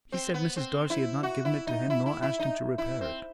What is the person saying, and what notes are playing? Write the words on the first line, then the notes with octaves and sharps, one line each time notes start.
He said Mrs. Darcy had not given it to him, nor asked him to repair it.
C4
B3
C4
E4
F#4
E4
D#4
E4
E4
E4
D#4
E4
C4